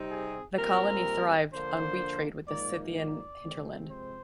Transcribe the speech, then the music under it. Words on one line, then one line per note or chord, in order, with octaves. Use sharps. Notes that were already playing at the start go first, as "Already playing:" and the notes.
The colony thrived on wheat trade with the Scythian hinterland.
Already playing: C3 G3 C4 D#4
G#4
A#2 G3 C4 A#4
D3 F3 A#3 D4 C5
G#2 F3 A#3 D#4 D5
D5
C3 F3 G#3 C4
C5